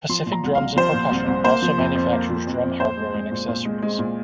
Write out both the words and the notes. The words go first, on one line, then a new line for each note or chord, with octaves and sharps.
Pacific Drums and Percussion also manufactures drum hardware and accessories.
F3 C6
A#2
A#5
C2
F5
C2
F3 C5
A#2
C2
C2
A#3 C5
F3
F2
F2
A#3
F3
F2
F2
A#2 C5
G#3
G#3
A#2
A#2
G#3
G#3
A#2